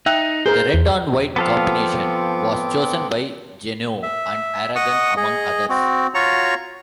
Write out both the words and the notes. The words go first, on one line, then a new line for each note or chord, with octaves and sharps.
The red-on-white combination was chosen by Genoa and Aragon, among others.
D#4 E5 G5 F#6
G#4 A#4 C5
E2
F3 B3 C4 A4 F5 D6
E5
D#5 F#5 C#6 D#6
G#4 D#5
C4 F#4
F4 F#4 C#5 A#5 C#6